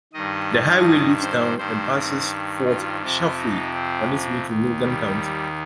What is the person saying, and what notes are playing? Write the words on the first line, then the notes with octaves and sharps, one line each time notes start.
The highway leaves town and passes Fort Chaffee on its way to Logan County.
G2 D#3 D#5
C5
G2 D#3 C5
C4
F4
F2 C3 F3 F4
D#4
C4
D#2 D#3
G3